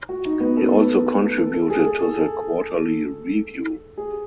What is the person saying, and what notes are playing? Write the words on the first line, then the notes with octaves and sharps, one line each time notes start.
He also contributed to the "Quarterly Review".
F#4
D#4
B3
A4
B4
A4
A4
G#4
A4
A4
G#4